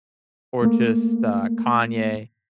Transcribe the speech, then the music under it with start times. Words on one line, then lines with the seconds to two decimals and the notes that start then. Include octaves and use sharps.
or just, uh, Kanye.
0.62 A3 A#3